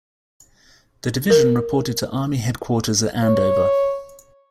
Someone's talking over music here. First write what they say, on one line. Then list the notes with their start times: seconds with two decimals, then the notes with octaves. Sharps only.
The division reported to Army Headquarters at Andover.
1.30 A#4
3.23 C#5